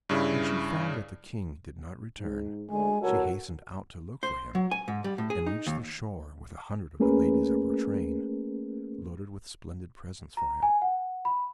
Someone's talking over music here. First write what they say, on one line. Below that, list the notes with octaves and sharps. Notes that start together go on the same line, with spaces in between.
When she found that the King did not return, she hastened out to look for him, and reached the shore, with a hundred of the ladies of her train, loaded with splendid presents for him.
G2 C#3 E4
G#2
D2 G#3 G#5
C2 F#4 A4 A#4 C#5
C5
F#3
G#5
G#2
G3
A2
G#4
D#4
D#2
A3 A#3 C#4 G#4 A#4 B4
A#5
G#5
F#5
B5